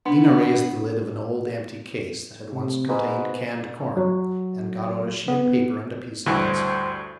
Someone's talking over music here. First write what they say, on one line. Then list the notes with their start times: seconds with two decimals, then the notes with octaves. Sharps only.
Lena raised the lid of an old empty case that had once contained canned corn and got out a sheet of paper and a piece of pencil.
0.06 B3 D4
2.52 C3
2.89 G#2 B4
3.97 F#3
5.28 B3
6.26 D2 G2 E3 C5